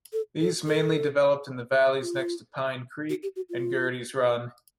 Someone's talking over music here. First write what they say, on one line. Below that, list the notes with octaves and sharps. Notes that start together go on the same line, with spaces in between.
These mainly developed in the valleys next to Pine Creek and Girtys Run.
A4
A4
A4
F4
F#4
G4
F#4
F4